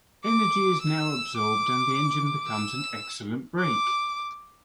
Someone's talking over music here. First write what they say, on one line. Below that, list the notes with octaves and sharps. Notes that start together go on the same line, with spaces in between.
Energy is now absorbed and the engine becomes an excellent brake.
D6
E6
D6
E6
D6